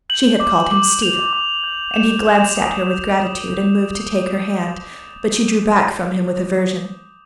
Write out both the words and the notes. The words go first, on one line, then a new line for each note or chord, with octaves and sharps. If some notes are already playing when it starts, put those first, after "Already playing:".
She had called him "Stiva," and he glanced at her with gratitude, and moved to take her hand, but she drew back from him with aversion.
G6 F#7
D6
D6
G6 F7
D6
G6
G6 E7
G6
D#6
G6
D#6
G6